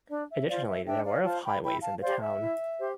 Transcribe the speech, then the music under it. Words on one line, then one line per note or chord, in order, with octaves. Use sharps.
Additionally, there were of highways in the town.
D4 D5
E5
F4 C5 D5 F5
E5
D4 E5 G5
D5 F5
F4 C5 F5 A5
G5 B5
E4 G5 B5
F5 A5
G4 C5 D5 F5
E5
E4
G4 C5